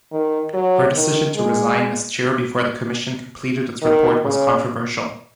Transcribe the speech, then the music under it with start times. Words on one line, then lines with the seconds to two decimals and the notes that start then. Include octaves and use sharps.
Her decision to resign as chair before the commission completed its report was controversial.
0.12 D#3
0.54 F#3
0.95 D#3
1.36 G#3
3.83 D#3
4.24 C#3